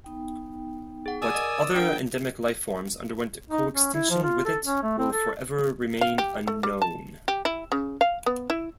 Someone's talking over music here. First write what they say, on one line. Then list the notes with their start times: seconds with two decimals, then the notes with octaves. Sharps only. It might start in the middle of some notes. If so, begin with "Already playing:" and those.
What other endemic lifeforms underwent coextinction with it will forever remain unknown.
0.04 B3 D#4 G5
1.06 G#4 F#5
1.22 D5 G#5 D#6 E6
1.35 A#4 D#5
1.75 D4 F4 A#4 F#5 G5
3.50 D#4
3.73 C#4
3.94 E4
4.10 F3
4.23 F4
4.45 A4
4.65 C#4
4.83 A3
4.98 C4
5.12 A4
6.01 F5
6.18 G4
6.47 A3
6.63 G3
6.82 A5
7.28 G4
7.45 E4
7.72 C#3
8.01 F5
8.26 B3
8.50 E4